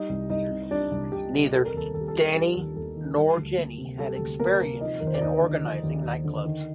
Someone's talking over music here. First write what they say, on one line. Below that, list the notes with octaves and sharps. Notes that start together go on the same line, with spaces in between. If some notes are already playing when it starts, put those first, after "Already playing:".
Neither Danny nor Jenni had experience in organising nightclubs.
Already playing: G3 D#4 D#5
C2
C2 D#4 D#5
C3
G3 D4 D5
C2
C2 G4
C3
G3 A4
A#4
D#2 A4
D#2 A4
G4
A4
D#3
G3 G4
D#2
D#2 A4
D#3
G3
D2
A#3
C3
G3 A4
G4
D2 A4
A#3 A#4
C3
F3 D#4 D#5
D#2 A#4
C5
D5
D#2 D#4 D#5
D3
F3
D#2
D#2
D3
D#3